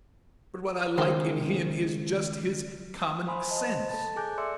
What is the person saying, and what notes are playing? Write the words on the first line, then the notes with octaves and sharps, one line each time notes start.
But what I like in him is just his common sense.
C#2 D#3 G#4 A#4 C5 G5
C5 F5 G#5 B5 C6
C5 D#5 A5
A4 A5 A6
G#4 A4 G#5 D6 F#6 G6
D5 E5 C6 D6 E6 C#7